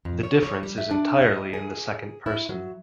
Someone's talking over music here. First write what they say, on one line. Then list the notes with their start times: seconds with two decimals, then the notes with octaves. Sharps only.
The difference is entirely in the second person.
0.05 F2
0.23 C#5
0.43 C#5
0.63 G3
0.78 E5
0.91 D4
1.22 D#5
1.53 G#4
2.26 E4
2.49 F#3